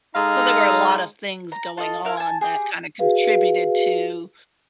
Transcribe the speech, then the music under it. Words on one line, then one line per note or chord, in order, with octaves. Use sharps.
So, there were a lot of things going on that kinda contributed to
G#3 D#4 A4 F5 A#5
A#5
F4 A4 D#5
E4 A#4 F5
G#5 A5
G4 G#4
F#4 G#4 B4 F5